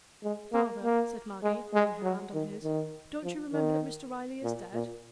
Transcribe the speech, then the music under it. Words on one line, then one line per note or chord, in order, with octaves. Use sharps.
"Father," said Maggie, laying her hand on his, "don't you remember that Mr. Riley is dead?"
G#3
A#3
A#3
G#3
G#3
F#3
D#3
D#3
F3
D#3
A#2
A#2